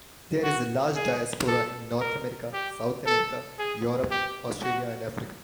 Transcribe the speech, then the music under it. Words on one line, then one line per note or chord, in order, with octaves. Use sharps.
There is a large diaspora in North America, South America, Europe, Australia and Africa.
F#4
G#4
A4
A#4
G4
A4
G#4
G4
F#4